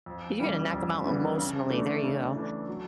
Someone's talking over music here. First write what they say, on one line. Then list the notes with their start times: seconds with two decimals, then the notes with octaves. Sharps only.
You're gonna knock them out emotionally. There you go.
0.06 F2
0.39 C#3 E3 G3 B3
0.72 F2
1.04 C#3 E3 G3 B3
1.38 C#3
1.69 E3 A3 D4
2.03 C#3
2.35 E3 A3 D4
2.68 F#3